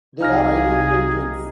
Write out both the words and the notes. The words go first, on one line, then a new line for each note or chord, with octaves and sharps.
They are identical twins.
C2 C3 D#4 G#4 F5 G#5 F6 A#6